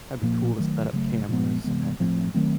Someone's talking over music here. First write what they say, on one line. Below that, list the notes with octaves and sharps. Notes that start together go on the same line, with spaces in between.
That'd be cool to set up cameras and everything.
A#2 F3 A#3
D#3 F#3 A3
C#3 F#3 A3
A#2 F3 G#3 B3
C3 E3 G#3 B3
A2 F3 A3 C4
D#3 F#3 A3 C4